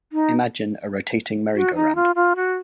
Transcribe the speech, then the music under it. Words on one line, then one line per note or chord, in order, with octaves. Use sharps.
Imagine a rotating merry-go-round.
D#4
F#4
D#4
F4
F4
F#4